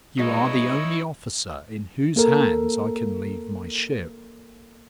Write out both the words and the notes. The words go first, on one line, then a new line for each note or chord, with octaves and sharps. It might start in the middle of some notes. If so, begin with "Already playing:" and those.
You are the only officer in whose hands I can leave my ship.
G2 B2 G#3 D#4 E4 C#5 D#5
A#3 A4 A#4